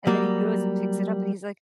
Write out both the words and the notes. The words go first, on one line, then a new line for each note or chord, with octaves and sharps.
and then he goes and picks it up and he's, like,
F#3 G3 A#3